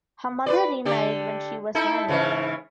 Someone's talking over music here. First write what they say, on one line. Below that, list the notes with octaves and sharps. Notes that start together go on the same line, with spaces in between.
Her mother remarried when she was nine.
B4 C5 D5
D3 G4 D5
D#4 E4 A4
G#2 C#3 E3